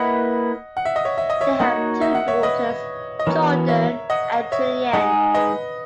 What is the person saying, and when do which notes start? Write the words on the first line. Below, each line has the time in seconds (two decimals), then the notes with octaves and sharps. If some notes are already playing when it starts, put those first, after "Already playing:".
They have two daughters, Jordan and Julianne.
Already playing: A#3 E4 B4 D#5 F#5
0.77 F#5
0.85 E5
0.96 D#5
1.05 C#5 E5
1.18 E5
1.30 D#5
1.41 C#5 E5
1.60 A#3 D#4 F#4 C#5 D#5 F#5
2.01 E5
2.15 F#5
2.28 C#5 E5
2.43 B4 D#5
3.19 D#5
3.26 E3 B3 F#4 A#4 C#5
3.68 C#5 E5
4.10 D#5 F#5
4.52 C#5 E5
4.93 G#3 D#4 G#4 D#5 F#5
5.35 B4 D#5